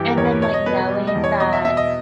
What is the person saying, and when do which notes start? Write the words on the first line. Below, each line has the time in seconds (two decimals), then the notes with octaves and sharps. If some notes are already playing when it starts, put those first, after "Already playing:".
And then, like, knowing that
Already playing: G2 E3 G4
0.09 A#4
0.17 E2 C#5
0.25 B4
0.42 B2 C#5
0.54 D#5
0.66 B2 B4
0.79 B4
0.91 G3
1.07 D#5
1.15 E2
1.24 C#5
1.40 B2 D#5
1.53 E5
1.65 B2 E5
1.77 D#5